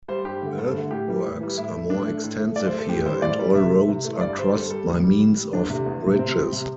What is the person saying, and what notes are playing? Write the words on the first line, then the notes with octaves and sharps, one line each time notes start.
Earthworks are more extensive here, and all roads are crossed by means of bridges.
G3 C5
G2 G4
D3 A3
G2 A4
D3 A3
A2 G4
E3 G3
A2
E3 G3
A2 E4
A3
A2 D4
A3
A2
A3
A2 D5
C5
A3
A4
A2 G4
E3 G3 C5
A2 D5
E3 G3
C3 E5
E3 A3
C3
E3 A3
G2 D5
G3 C5
G2 A4
G3 A4
A2
G3
A2
G3
E2 D4
C3 A3
E2
C3 A3
C3 C4
G3
C3